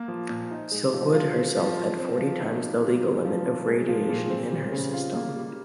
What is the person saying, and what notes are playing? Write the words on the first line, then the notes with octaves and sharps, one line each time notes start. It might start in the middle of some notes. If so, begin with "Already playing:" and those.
Silkwood herself had forty times the legal limit of radiation in her system.
Already playing: A#3
F3
A#2
D#4
G#3
F3
F4
C4
F3
F4
C4
F3
D#4
A#3
G3
C4
F3
C3
G#3
F3
A#2
C4
G3
C#3
F4
A#3
G3